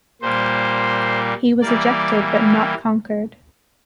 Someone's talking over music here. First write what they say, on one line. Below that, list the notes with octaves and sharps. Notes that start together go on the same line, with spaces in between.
He was ejected but not conquered.
A#2 G3 A#3 C5
E3 G3 A#3 D5